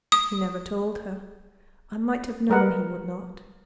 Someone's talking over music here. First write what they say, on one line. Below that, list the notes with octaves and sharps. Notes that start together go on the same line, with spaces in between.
He never told her: I might have known he would not!'
D#6
G3 A#4 B4 F#5